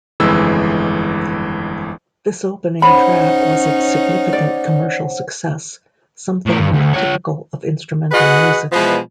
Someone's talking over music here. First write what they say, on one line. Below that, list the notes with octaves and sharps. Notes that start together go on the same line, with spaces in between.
This opening track was a significant commercial success, something not typical of instrumental music.
G1 F2 E3 G#3 E6
C#4 D#4 C5 C#5 F#5 B5
D5
A2 A#4
G2
D2
F4 C#5
F#4 G#4 B4 D#5 F#5
B2 E3 F3 G#3 B3